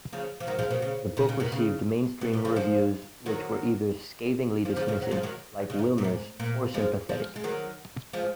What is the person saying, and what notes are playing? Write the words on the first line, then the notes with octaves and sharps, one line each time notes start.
The book received mainstream reviews which were either scathingly dismissive, like Wilmers, or sympathetic.
C#3 F3
F3
D#3 F#3
F3 G#3
B2 D#3
C#3
B2 D#3
C#3
B2 D#3
C#3
B2
A#2
C#3 F3
F3 G#3
D#3 F#3
F3 G#3
C#3 F3
C#3 F3
F#3
F3 G#3
D#3 F#3
C#3
G#2
A#2
G#2
A#2
F3 G#3
F3 G#3
G#3
D#3 F#3
F3 G#3